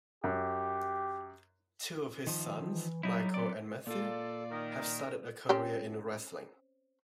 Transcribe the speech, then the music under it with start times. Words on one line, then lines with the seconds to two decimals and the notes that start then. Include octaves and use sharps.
Two of his sons, Michael and Matthew have started a career in wrestling.
0.24 F#2 G4
2.27 D#3 F3
2.67 E3
3.03 F#3 G3 D#4 E4
3.34 B3 C4 D5
3.87 A#2 F4 A4 D5
4.50 D#3 A#4
5.49 C4 C#4 G4